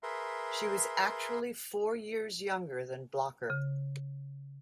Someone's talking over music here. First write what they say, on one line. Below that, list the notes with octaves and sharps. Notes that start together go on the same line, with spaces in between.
She was actually four years younger than Blocker.
G#4 A#4 B4 E5 C6
C#3